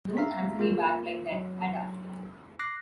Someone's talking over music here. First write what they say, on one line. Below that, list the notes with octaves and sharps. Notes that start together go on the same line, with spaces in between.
Don’t answer me back like that, Ada.
E5 F5 A#5 B6
A#3 F4
F#3
D6 F#6 A#6 C7